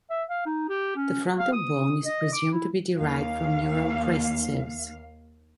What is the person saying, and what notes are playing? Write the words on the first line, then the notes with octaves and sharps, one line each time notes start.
The frontal bone is presumed to be derived from neural crest cells.
E5
F5
D#4
G4
C#4
F5
D#6
D#5
D6
E4
D#2 F5